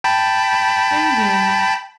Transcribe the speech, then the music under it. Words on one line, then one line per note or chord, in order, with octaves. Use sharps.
Thank you.
G5 A5 B5